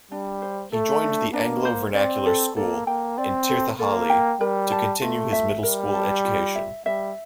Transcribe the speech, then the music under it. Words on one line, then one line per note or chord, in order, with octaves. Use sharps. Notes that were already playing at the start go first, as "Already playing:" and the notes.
He joined the Anglo Vernacular school in Tirthahalli to continue his middle school education.
G3 D4
C5
A3 A4
D4
A#3 D4
C5
C4 D5
A4
A#3 A4
A#3 G5
C4 D5
A4
A#3 A4
G5
G3 A#4
A5
A3 F4
E5
G3 A#4
A5
F4
E5
G3 E5